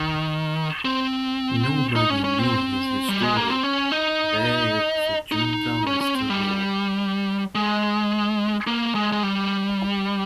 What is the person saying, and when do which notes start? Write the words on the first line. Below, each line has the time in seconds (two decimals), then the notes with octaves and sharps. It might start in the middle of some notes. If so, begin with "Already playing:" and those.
Nobody knew his history, they of the Junta least of all.
Already playing: D#3
0.85 C4
1.96 D#4
2.10 C#4
2.24 C#4
2.39 C4
3.09 G3
3.23 G#3
3.37 A#3
3.50 C4
3.63 C#4
3.92 D#4
5.32 D#4
5.87 C#4
6.01 C#4
6.15 C4
6.30 G3
7.55 G#3
8.67 A#3
8.95 G#3
9.12 G#3
9.23 G3